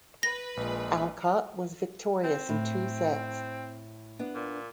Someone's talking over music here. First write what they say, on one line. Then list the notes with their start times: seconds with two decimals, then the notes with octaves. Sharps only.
Alcott was victorious in two sets.
0.23 B4 A#6
0.57 A#1 A#2 G#3
2.24 C4
2.49 A2
4.19 B3 D4
4.35 A#2